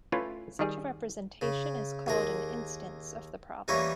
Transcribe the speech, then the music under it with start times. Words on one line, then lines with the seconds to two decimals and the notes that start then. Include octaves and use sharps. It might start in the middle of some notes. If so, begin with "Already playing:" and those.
Such a representation is called an "instance" of the problem.
0.12 A3 C#4 E4 F4 B4 C#5
0.59 D#3 G3 G#4
1.41 C#3
2.06 D#2 G#4 A#4
3.68 E3 G3 A#3 C#4 A#4 C#5